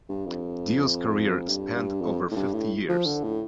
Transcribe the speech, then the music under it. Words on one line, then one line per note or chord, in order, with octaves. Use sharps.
Dio's career spanned over fifty years.
G2
F2
G2
G2
F2
A2
G2
A2
F3
D3
A2